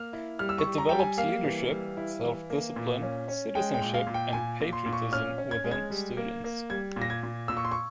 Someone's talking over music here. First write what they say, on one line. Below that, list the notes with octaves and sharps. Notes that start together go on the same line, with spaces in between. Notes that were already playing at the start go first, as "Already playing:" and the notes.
It develops leadership, self-discipline, citizenship, and patriotism within students.
Already playing: A#3 F6
E4
G3 F6
E6
C#6
G3
A#5
G3 G5
G#5
A#3 F5
E3
G3
E4
E3
A#3
A#2
C#4
C#4
G#3 G5
G5
A#2
F5
A#2
G5
A#2 G#5
A#2
C6
A#2
C#6
C#4 F6
C#4
G#6
G#3
G#6
G3
A#3
A#3
G3 G#6
A#2
A#6
G#6
A#2
A#2 E6
C#6
C6
C#6